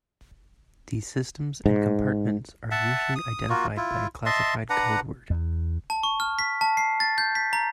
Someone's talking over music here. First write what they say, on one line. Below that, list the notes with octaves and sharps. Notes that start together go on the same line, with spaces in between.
These systems and compartments are usually identified by a classified codeword.
G#2
E5 F#5 A5
D#6
A#3 F4 F#4
E4 F4
D#5 E5 A5 C6
D4 B4 F#5 A#5
E2
A5
C#6
F6
B6
A5
C7
A6
G6
B6
A#5